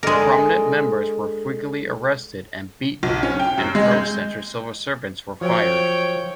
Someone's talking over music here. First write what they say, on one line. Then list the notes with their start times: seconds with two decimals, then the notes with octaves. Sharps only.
Prominent members were frequently arrested and beaten, and pro-Centre civil servants were fired.
0.03 G#3 D4 A4 A#4 D#5
3.03 B1
3.23 C#4
3.39 G5
3.58 F#2
3.75 G#3
3.91 G6
5.41 F3 F#3 C#5 G5